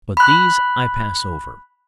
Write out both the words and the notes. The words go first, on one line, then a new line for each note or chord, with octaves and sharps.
But these I pass over.
B5 F#6